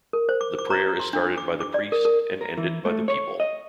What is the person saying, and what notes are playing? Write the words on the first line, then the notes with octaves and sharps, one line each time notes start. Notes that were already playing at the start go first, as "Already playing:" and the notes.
The prayer is started by the priest and ended by the people.
A#4
C5
D6
D6
A#5
C6
D4
D6
D6
D5
A#4
A#4
A#4
E3
A3
C#5
D#5